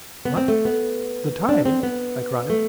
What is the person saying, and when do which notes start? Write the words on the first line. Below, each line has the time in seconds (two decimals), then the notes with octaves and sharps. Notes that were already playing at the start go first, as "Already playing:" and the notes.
"What! the tide!" I cried.
0.25 B3
0.37 C4
0.48 A3
0.65 B3
1.49 D4
1.65 C4
1.83 B3
2.50 A3